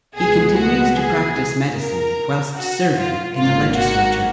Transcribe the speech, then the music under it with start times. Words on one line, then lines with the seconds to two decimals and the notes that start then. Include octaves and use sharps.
He continues to practice medicine whilst serving in the legislature.
0.15 C#2 B2 G#3 B3 G#4
0.56 F#4
0.96 G#4
1.76 A#4
2.56 F#4
2.96 F4
3.36 G#1 G#2 D#3 A#3 F4
3.75 F#4